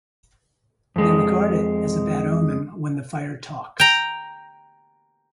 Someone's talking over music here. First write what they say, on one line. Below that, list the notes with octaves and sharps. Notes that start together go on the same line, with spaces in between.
They regard it as a bad omen when the fire talks.
F2 G#3
G5 A#5